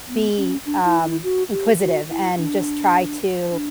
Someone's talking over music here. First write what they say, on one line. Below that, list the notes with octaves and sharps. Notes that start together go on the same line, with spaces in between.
be, um, inquisitive and just try to
B3
C#4
D4
E4
E4
F#4
G4
F#4
E4
D4
D4